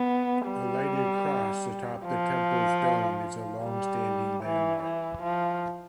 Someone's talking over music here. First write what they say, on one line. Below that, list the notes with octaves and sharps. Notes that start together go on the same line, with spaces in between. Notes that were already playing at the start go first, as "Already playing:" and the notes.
The lighted cross atop the temple's dome is a longstanding landmark.
Already playing: B3
G3
F3
G3
E3
E3
F3